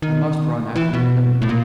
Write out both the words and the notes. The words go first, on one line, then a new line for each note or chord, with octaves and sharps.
I must run after the criminal.
D#3
E3
B2
A2
A#2